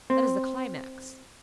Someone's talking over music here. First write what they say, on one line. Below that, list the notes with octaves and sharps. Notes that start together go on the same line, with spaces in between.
That is the climax.
C4